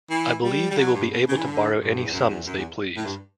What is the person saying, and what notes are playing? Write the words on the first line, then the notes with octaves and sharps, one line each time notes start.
I believe they will be able to borrow any sums they please.
E3
G3
G3
F#3
G2
B2
C#3
E3
D3
G2
E2
F#2
E2
F#2
E2
A2
G2